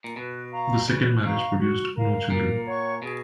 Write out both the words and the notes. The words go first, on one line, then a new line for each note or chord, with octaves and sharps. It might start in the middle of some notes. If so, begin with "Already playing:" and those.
The second marriage produced no children.
A#2
B2 B4
F5 A#5 C#6
C#3 B4
B2 F5 A#5 C#6
F#4
A#4 F5
A#2 A#4
C#5 F#5 C#6
B2 G#4